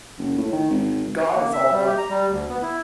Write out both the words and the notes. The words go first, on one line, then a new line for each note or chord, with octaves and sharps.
God is all love.
F#1
A2
D#3
G#1
A#3
E5
G3
G4
A#5
G3
D2
B3
E4